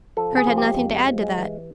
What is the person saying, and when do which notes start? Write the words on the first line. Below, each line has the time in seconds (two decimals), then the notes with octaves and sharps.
Kurt had nothing to add to that.
0.17 F3 A4
0.32 C3
0.37 G#4
0.47 F3
0.58 G#3 G4
0.78 F2
0.92 G#3
1.08 F3
1.23 G#3
1.38 E3